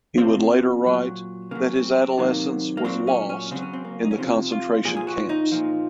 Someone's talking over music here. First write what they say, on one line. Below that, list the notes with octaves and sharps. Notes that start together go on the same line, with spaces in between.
He would later write that his adolescence was "lost" in the concentration camps.
C3 F3 C4
A#2 F#3
C#3 F#3 A#3
C4
C4
C3 D#3 F#3 A#3
A#3
A#2 F#3 C4
C#4
C#4
C#3 F#3 C4
C#4
C4
A#3
D#4
C#4
C3 F3 C4
F4
A#2 F3 G#4
G#4
F#4
D#4
A#2 F3